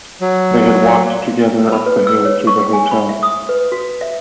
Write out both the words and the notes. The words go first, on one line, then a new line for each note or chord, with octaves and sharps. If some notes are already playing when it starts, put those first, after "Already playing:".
They had walked together up the hill to the hotel.
F#3
B5
B4
E6
C#5
C#6
G#5
B5
E5
D#6
B4
F#4
E5